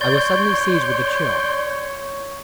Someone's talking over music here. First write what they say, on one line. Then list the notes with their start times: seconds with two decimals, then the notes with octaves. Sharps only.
I was suddenly seized with a chill.
0.01 C#5 D5 C6 G6